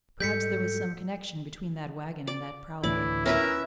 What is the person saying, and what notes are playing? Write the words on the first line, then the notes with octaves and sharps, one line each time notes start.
Perhaps there was some connection between that wagon and that prowler.
G#2 G3 A4 G6 B6 C#7
D5
D2 A2 E3 E4 D5
C#4 E4 A#4 B4 E5